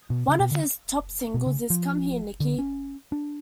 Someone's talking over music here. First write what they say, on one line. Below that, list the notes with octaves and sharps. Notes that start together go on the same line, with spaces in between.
One of his top singles is "Come Here Nikki".
B2
C#3
B2
D3
B2
C#3
F3
D3
C#4
D4